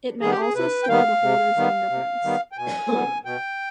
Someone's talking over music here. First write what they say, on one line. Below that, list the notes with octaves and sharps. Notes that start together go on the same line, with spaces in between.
It may also store the holder's fingerprints.
D#3 G3 B3 G#4
G4
G#4
C3 B4
G5
D#3 G3 B3 F5
C3
D#3 G3 B3
C3
D#3 G3 B3
G5
B2 G#5
G3 B3
B2 G5